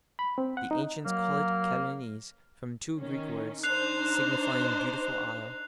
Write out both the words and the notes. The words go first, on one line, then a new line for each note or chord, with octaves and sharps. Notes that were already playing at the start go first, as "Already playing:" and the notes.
The ancients called it Kalonese, from two Greek words, signifying beautiful isle.
B5
C4
F#5
D#4
F#3 A#3
D#3 C#4
D4 D#4 C5 F#6 C7 F7